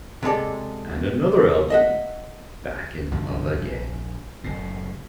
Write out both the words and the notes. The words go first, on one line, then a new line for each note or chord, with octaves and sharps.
And another album, "Back in Love Again".
C3 G#3 A4 D5
D#5 E5 F#5
C2 G2 D3 F3
A#1
F#1 A2